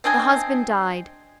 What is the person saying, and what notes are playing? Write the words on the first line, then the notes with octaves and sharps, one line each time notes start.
The husband died.
C4 D4 D#5 G#5